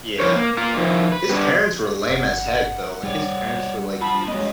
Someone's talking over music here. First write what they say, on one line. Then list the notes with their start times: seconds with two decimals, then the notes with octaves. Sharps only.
Yeah. Yeah. His parents were lame as heck, though. Like, his parents were, like, these
0.20 C#3 F3 E4 A#4 C5 C#5
0.36 A#3
0.57 A#3 F4 A#4
0.77 D#3 F3 E4
1.12 B4
1.29 G3 B3 D4
2.09 G1 F#5
3.03 G3 C#5 D5
4.02 F4 A5 B5
4.28 F#3 G#3 B3 D#5